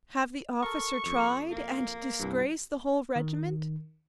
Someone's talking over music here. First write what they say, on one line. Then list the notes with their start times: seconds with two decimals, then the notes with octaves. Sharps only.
Have the officer tried and disgrace the whole regiment?
0.63 A4 A#4 C#6
1.06 F2
1.51 A#3
2.20 C2 G2
3.16 D#3